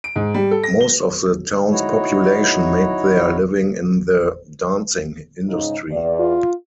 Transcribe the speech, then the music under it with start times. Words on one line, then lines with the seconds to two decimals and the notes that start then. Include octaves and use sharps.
Most of the town's population made their living in the dancing industry.
0.04 D7
0.16 G#2
0.34 G3
0.51 A4
0.64 A#6
0.81 G7
1.71 D#4 E4 F#4 C#5
5.49 G#2 C#3 D#4
5.91 E2 D5
6.19 F4